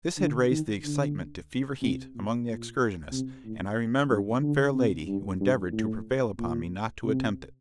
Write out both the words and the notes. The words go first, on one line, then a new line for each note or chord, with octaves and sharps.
This had raised the excitement to fever heat among the excursionists, and I remember one fair lady who endeavored to prevail upon me not to attempt it.
D3
D#3
D3
C3
A#2
A#2
C3
A2
G2
D3
C3
G2
G2
A2
A#2
C3